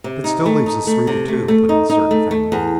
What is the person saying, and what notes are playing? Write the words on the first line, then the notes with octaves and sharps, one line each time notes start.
"That still leaves us three to two!" put in Sir Nathaniel.
C3
D#4
A3
D#4
A3
C3
A3
A3
D#4
D#4
A3
A3
E2